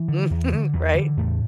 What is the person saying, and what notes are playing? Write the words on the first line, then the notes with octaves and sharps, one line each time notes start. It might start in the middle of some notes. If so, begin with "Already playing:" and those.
Mhm, right?
Already playing: E3
D3
E2
D3
E2 E3
D3
E2 A2 A3